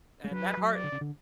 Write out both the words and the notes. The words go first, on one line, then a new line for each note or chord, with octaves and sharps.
And that hard
G#3
F#3 B4
F#3
D5
D3
C#3
D3